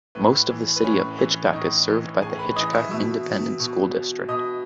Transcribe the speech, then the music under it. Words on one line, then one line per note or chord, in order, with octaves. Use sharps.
Most of the city of Hitchcock is served by the Hitchcock Independent School District.
A2 B4
E3
B4
A2 C#4 C#5
E3
A2 D#4 D#5
E3
A2 G#4 G#5
B4 B5
E3 D#5 D#6
E5 E6
B2 E5 E6
B2
B2 D#5 D#6